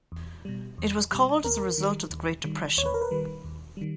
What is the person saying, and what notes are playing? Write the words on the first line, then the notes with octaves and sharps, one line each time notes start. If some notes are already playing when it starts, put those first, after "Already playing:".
It was called as a result of the Great Depression.
E2
B2 G3
E2
B2 G3
D#2 A#4
D#3 G3
D#2
D#3 G3
D#2 C#5
B4
A#4
B4
D#3 G3
D#2
D#3 G3